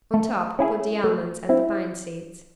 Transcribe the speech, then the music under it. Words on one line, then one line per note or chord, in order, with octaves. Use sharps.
On top put the almonds and the pine-seeds.
A3
C#4 E4 G#4
A3
C4 E4